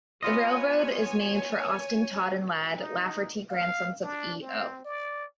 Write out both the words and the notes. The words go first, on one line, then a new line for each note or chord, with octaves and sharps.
The railroad is named for Austin, Todd and Ladd Lafferty, grandsons of E. O.
B3 F4 C#5 D#5 G#5
D#4
F5
D4
C4
D5